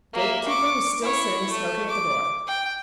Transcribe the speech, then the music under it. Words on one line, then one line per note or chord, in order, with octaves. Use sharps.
The gatekeeper was still sitting smoking at the door.
A#3 E5
C#6 D6
E4 C#5
A3
D6
G5